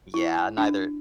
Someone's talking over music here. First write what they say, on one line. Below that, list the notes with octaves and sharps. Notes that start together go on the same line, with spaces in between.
Yeah, neither
E4
D4